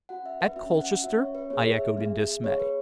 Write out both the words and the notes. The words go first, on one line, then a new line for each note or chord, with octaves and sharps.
"At Colchester!" I echoed in dismay.
C#4 F#4 F#5
E5
B4
C#4 F#4 E5
F#5
C#4 F#4 E5
C#5
B4
B3 G#4 C#5
E5
B3 G#4
B3 G#4 C#5
B4